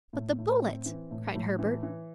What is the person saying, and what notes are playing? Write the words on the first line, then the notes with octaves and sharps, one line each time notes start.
"But the bullet," cried Herbert.
A2
A2
C4
E3
A2
A2
E3
E3